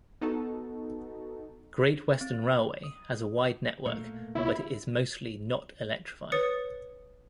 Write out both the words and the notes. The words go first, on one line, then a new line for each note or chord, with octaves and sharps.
Great Western Railway has a wide network, but it is mostly not electrified.
B3 D#4 F#4 A4
C4
D#6
A#2 A3 A#3
C#2 B2 A#3 B3 E4 F4 C#5
B4 C#5 D#6 A6 C#7